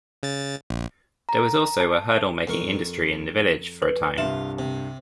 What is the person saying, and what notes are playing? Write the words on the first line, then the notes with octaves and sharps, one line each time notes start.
There was also a hurdle-making industry in the village for a time.
C#3 A6
A#1
A#5
A5
F2 A#4 C#6
B4
C2 G2 F4 E5 E7 F#7
C3